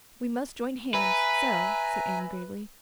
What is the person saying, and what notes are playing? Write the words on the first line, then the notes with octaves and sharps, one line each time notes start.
"We must join hands--so," said Anne gravely.
B4 E5 G#5 A#5